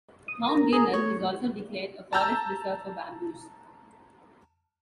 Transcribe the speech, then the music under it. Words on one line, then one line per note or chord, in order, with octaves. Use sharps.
Mount Girnar is also declared a forest reserve for Bamboos.
D#6
A#4 A#5
G#4
A3 C#5
A5 A#5 E6 G6